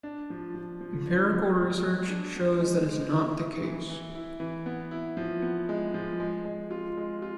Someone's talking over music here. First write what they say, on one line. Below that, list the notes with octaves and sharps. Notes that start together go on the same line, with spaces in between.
Empirical research shows that is not the case.
D4
F3
F3
F3
D4
B3
G#3
G#3
D4
B3
G#3
G#3
E4
E4
E3
E3
E4
E3
B3
E4
F3
B3
G#3
F3
G#3
G#3
F4
G#3
F4